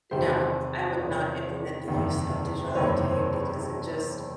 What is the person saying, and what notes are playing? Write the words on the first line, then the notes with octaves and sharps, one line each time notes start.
No, I would not implement the use of digital ID, because it just uh,
E2 C3 D#3 G3 C5
B4
C5
D5
E2 C3 D#3 G3 B4 C#5
F#1 E2 C3 D#3
C5
F#1 E2 C3 D#3 B4 C#5
C5
B4